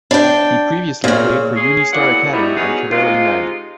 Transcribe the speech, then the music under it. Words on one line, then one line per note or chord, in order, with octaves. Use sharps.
He previously played for Unistar Academy and Karela United.
D4 G5
A#2 C#3
C#4 G#4
E2 E3 F#3 A#3 D5 F#5
B2 F#3 G3 D#4 E4
F#3 B3 C#4 D#4 G#4
C3 G#3 D#4 F4